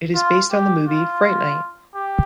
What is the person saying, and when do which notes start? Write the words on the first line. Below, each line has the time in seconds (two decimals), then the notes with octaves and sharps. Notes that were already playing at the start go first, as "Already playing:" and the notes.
It is based on the movie "Fright Night".
0.15 F4
0.51 G4
0.87 F4
1.95 G4